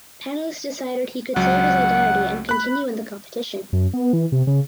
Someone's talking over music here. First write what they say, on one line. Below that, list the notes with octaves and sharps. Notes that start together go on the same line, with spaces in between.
Panelists decided he could save his identity and continue in the competition.
C#2 F#3 F#5
B5 F#6
F#2
B3
E3
C3
C#3